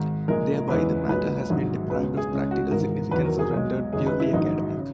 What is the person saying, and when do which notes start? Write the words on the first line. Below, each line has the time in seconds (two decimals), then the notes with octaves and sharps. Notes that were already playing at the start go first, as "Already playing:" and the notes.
Thereby the matter has been deprived of practical significance or rendered purely academic.
Already playing: G#1 G#2 D#3
0.28 A#1 A#2 G#3 A#4
0.69 F#1 E2 C#3 E3 G#3 B4
1.09 B1 A#2 G#3 B4
1.50 A#1 G#2 D#3 F#3
1.90 C#2 B2 G#3 B4
2.17 G#4
2.31 C#2 C#3 G#3
2.51 F#4
2.71 G#1 G#2 E3 A#4
3.11 E2 D#3 F#3 B4
3.25 A#4
3.39 G#4
3.52 B1 B2 G#3
3.93 F#1 F#2 D#3 G#3 G#4
4.07 B4
4.20 E4
4.33 A#1 G#2 D#3 F#3 D#4
4.78 C#3